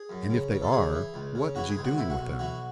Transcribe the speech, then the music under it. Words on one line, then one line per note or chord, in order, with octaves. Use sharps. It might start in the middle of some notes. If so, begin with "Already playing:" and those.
"And if they are, what is he doing with them?"
Already playing: G#4
F#2
C#3
C#3
A4
C#3 G#4
E3
C#2
C#3
E3 F#4
G#4
C#2
F#4
B1 E4
F#4
B1
E3 F#4